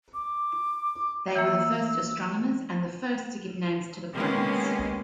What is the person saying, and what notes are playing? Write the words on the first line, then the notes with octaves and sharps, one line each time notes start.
They were the first astronomers and the first to give names to the planets.
D6
E3 A#3 E6
C3 D#3 G#3 A#3 B3 C#4